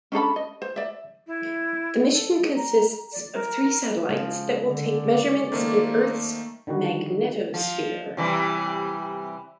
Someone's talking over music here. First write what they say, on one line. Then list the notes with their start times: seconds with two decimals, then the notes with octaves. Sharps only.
The mission consists of three satellites that will take measurements in Earth's magnetosphere.
0.12 C#4 D4 A4 B5
0.36 D#5
0.62 C5
0.76 D5 E5
1.26 E4
2.11 A4
2.56 A#5
3.12 D5
3.33 A#4
4.09 C#3 F3 G#3
4.69 D3 D5
5.52 D#3 A3 A#3 C5
6.67 D3 D#3 G3 F#4
7.54 F3
8.17 C3 E3 G3